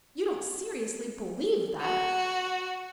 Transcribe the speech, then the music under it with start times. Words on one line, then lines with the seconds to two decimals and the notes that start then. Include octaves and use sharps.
"You don't seriously believe that?"
1.80 F#4